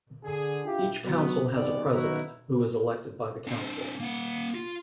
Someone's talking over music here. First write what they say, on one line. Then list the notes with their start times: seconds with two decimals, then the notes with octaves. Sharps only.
Each council has a president, who is elected by the council.
0.24 D3 G#4
0.65 D4 E4 F4 G4
1.04 F#3 B3
1.54 F#1 C2 D#3 B3 G#4 D5
1.91 D#3 F#3 B3 D#4 E4 F#4
3.47 C4 D4
4.00 A#3 F#5
4.55 F4